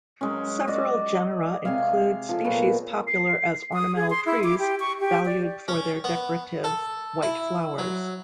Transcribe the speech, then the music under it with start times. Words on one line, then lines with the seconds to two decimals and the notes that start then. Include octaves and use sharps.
Several genera include species popular as ornamental trees valued for their decorative white flowers.
0.21 F#3 G#3 C#4
0.68 F#4 D5 D#5
1.65 C3 G#3 G#4 F5
2.29 F3 A4
2.44 A#2 F#3 B3 F#4
3.07 C7
3.74 D#6
3.96 G#4
4.10 C6
4.26 E4
4.44 D6
4.59 G4
4.80 C#6
5.00 G4
5.26 D5
5.68 C#4
6.04 B3
6.64 A4
7.23 E4
7.78 F#3